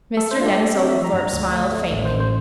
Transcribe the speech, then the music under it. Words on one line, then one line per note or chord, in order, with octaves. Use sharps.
Mr. Denis Oglethorpe smiled faintly.
A3 A4
C5
D4 F4
G4
A3 A4
C4 G4
E5
F3
A#5
G2
A#5
D2
A3
A3
A1
C5
A1
C5